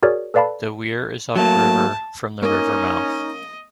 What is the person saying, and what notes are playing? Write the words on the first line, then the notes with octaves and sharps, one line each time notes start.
The weir is upriver from the river mouth.
F#4 G#4 A#4 C#5 D5
A4 B4 D5 F5 A5 B5
F#3 A3 A#3 A5
A#3 C#4 D#4 D#5